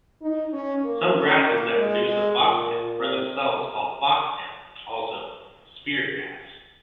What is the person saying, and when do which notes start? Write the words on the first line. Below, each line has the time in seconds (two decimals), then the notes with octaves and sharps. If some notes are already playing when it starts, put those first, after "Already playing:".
Some grasses that produce a foxtail are themselves called "foxtail", also "spear grass".
0.21 D#4
0.53 C#4
0.84 A#3
1.14 C#4
1.45 A#3
1.76 G#3
2.07 G#3
2.38 A#2
2.69 A#2
2.99 C3